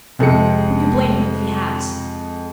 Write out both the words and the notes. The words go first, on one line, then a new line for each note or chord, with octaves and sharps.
Who could blame him if he has?
F2 C3 G#3 C#7